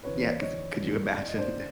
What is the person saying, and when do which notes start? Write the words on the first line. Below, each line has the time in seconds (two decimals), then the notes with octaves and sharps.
Yeah, 'cause could you imagine
0.03 D2 C3 E3 B4 C#5
0.22 C5 D5
0.41 C#5 D#5
0.78 F1 E2 B2 G3
1.15 D5
1.27 D#5
1.38 C5 D5
1.56 C#3